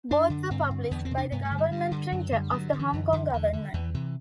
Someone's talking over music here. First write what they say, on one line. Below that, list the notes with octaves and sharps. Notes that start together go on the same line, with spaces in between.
Both were published by the Government Printer of the Hong Kong Government.
F#2 D4
D3
G2 C4
D3
E2 B3
C4
C3
D4
G2 B3
A3
D3
G3
G2 G3
D3
F#2 F#3
D3 G3
G2 F#3
D3
E3
F#2
D3
E2 D3
D3
E2 E3
C3 E3